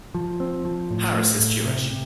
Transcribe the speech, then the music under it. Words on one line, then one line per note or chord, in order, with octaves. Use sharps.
Harris is Jewish.
F3
C4
F3
A2
A3
A2
C3
C3